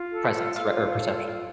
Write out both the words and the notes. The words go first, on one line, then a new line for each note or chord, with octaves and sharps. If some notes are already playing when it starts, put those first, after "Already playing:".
presence, right, or perception
Already playing: F4
A4
F4
F4 F5
A4
F4
F4